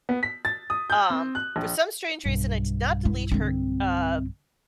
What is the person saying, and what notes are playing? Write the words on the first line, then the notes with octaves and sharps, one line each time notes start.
Um, for some strange reason, I did not delete her, uh
B3
B6
A6
D#6
G6
C4
F#6
A#1
B1 G2
E4
D3 C4